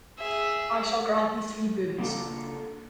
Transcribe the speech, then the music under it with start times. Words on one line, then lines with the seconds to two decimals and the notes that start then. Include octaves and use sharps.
I shall grant you three boons.
0.18 G#4 E5
1.98 C#3 A#3 D4 F4 A4